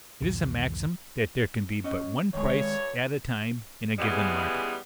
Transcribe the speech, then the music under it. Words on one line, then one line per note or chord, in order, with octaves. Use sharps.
It is a maxim that there can be but one price at a time in a given market.
B1 E2 G#2 D#3
C#4 D#5
G2 D#3 G#3 C#5
C#3 E3 G3 G#3 B3